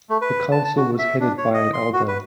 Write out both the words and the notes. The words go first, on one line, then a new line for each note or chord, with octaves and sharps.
The council was headed by an elder.
A3
B4
A5
A5
F#4
E5
D4
C#5
D#5
C6
F#4
B4